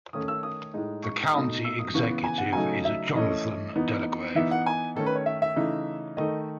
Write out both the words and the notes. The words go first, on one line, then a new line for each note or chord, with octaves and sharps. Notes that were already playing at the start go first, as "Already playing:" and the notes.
The county executive is Jonathan Delagrave.
D#3 A3 C#4 D#6
E6
D#6
A2 G#3 D#4
C#6
B2 A3 D#4 D#6
E6
D#6
C#3 E3 B3 C#6
G#5
F#5
C#3 F#3 A3 D#4 G#5
E5
E3 A3 C#4 D#5
E3 B3 D#4
E3 B3 D#4 E5
F#5
G#5
D#3 A3 C#4 A4
B4
C#5
E5
E5
C#3 E3 A3 D#4
D#3 A3 D#4 D#5